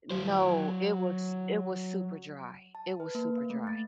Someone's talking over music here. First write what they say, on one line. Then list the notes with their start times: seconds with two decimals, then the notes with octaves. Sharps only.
No, it was it was super dry. It was super dry.
0.11 F#3 C5
2.75 A5
3.00 B4
3.15 A#3
3.38 F5
3.50 A3
3.67 A6